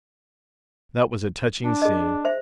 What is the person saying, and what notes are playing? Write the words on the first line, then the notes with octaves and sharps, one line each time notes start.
That was a touching scene.
D4
G#4 D#5
C5 E5